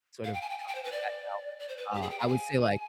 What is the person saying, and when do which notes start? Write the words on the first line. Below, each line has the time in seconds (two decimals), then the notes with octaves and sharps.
sort of come through that now. Uh, I would say like
0.24 F5
0.34 G5
0.42 G#5
0.50 G5
0.59 G#5
0.68 G5
0.75 C5
0.84 B4
0.92 D5
1.59 D5
1.69 C5
1.77 B4
1.94 G4
2.02 G#4
2.10 G5
2.19 F5
2.28 G#5